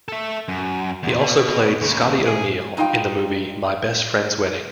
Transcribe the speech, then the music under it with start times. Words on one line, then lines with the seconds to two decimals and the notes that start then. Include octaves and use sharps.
He also played Scotty O'Neal in the movie "My Best Friend's Wedding".
0.08 A4 E5
0.48 F#2
1.03 E2 C3
1.18 B2
1.82 D#2 C#3
2.26 G#4
2.77 G2 D#4 F4 F5 G5